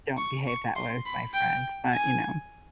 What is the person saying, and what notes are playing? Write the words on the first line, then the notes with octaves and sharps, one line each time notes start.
don't behave that way with my friends, but, you know.
C#6
C#6
C6
B5
G5
G#5